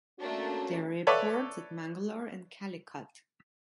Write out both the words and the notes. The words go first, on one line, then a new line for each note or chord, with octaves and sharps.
There are airports at Mangalore and Calicut.
A3 A#3 C#4 D4 F#4
A4 B4 C#5 D5 E5